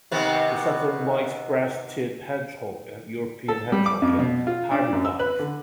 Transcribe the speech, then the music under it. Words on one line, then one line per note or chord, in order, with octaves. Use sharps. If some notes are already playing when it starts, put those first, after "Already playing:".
The Southern white-breasted hedgehog and European hedgehog can hybridize.
C3 D#3 B3
A4
G3
D6
F2
B2
F4
D4
F#2
E6
B4
D3